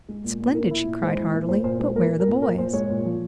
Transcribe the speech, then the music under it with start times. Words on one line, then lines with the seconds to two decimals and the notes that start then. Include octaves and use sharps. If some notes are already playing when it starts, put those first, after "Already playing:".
"Splendid," she cried heartily; "but where are the boys?"
0.09 G#3
0.24 A#2
0.40 A#2
0.55 A#2 A#4
0.71 E4
0.87 A#2
1.02 G#3 C5
1.17 E4
1.33 A#2
1.49 A#2 C5
1.64 A#2 C5
1.80 G#3 C5
1.95 A#2 A#4
2.11 A#2
2.20 A#4
2.28 A#2
2.42 A#2 A#4
2.58 A#2 C5
2.73 G#3 C#5
2.90 A#2
3.05 F3